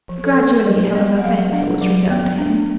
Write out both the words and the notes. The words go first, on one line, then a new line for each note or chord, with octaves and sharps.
Gradually, however, better thoughts returned to him.
F3
A4
A#3
F#3 D#5
B3 D#5
F#5
F#3 F5
D4 F#5
F#3
B3
D4